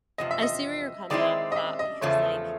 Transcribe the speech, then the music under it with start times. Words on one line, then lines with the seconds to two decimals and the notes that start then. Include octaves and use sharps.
I see where you're coming at with that because like
0.18 E2 C3 F3 D#5
0.31 E5
0.42 D#5
1.10 D#3 G#3 C4 E4 D5
1.52 D#5
1.56 E5
1.79 D#5
2.01 E2 C#3 F3 A3 C#5